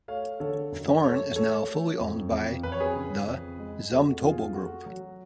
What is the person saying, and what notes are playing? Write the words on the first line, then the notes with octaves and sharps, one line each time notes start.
Thorn is now fully owned by the Zumtobel Group.
A3 C#5 F5
D3 A4 C#5
F#2
A3 A4 C#5
A3 A4 C#5
A3
F2
F2
F2 B4
C#5
G#4 B4
C#3
F2
G#3
F2 F#4 A4
F2 F4 G#4
A3 F#4
F#3